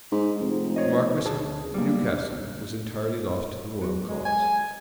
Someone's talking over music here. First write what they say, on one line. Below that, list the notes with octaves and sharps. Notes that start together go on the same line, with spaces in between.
The marquis of Newcastle was entirely lost to the royal cause.
G#2
F1
C5 C#5 D#5
D2 G#4 A5
B1 G3 A#3
F#3
G#3
G#5